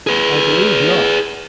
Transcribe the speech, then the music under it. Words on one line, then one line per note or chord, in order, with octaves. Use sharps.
"I believe not."
G#4 B4